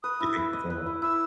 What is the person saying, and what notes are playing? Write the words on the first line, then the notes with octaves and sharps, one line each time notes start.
You think the same way?
B4 D#6
E4
E4
D#5
B4
E4
E4 E6